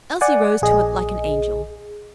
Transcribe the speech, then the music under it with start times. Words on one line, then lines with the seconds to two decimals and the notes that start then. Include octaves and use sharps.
Elsie rose to it like an angel.
0.21 D5 F#5 G#5
0.62 A#1 G#4 D#5